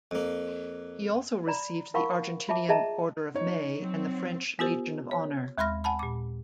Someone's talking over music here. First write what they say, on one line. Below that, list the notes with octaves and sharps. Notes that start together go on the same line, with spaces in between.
He also received the Argentinian Order of May and the French Legion of Honour.
F2 A#3
D5 A#5 B5
E4 A#4 F5 F#5 B5 C#6
F4 E5 A5 D6
G#4 D#5 E5 G5 A5 A#5
D#4 C#5
F#3 C4
B3 F4 G4 A#4 C5
C#5
D#2 G#3 B5 C6 F6 A#6
F#5 G#5 A5 B5
A#2 D6